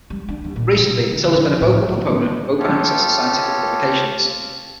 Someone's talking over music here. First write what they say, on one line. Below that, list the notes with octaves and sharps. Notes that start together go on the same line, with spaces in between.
Recently, Till has been a vocal proponent of open access to scientific publications.
G3
D4
D#2
A#2
C3
D3
F2
A2
F4 G4 A4 C#5